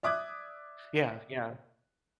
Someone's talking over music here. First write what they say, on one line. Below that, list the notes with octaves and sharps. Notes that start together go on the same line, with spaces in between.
Yeah, yeah.
D5 E5 D6 D#6 F#6 G#6